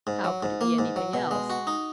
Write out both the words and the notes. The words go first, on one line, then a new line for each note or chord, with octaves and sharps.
How could it be anything else!
G#2
F#3
G#2
A#3
G#2
F#3
B2
G#3
F#4
D#4